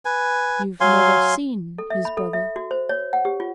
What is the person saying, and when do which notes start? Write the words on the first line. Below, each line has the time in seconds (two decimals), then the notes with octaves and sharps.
"You've never seen his brother?"
0.05 B4 G#5
0.81 F#3 F5 G#5 C6
1.78 A4
1.90 E5
2.05 B5
2.17 A4
2.33 E5
2.56 F#4
2.71 C5
2.89 C#5
3.13 F#5
3.25 G4
3.40 F4